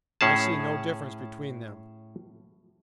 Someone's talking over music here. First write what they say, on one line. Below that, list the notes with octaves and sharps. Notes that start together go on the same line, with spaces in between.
I see no difference between them.
A2 C#4 G#4 A5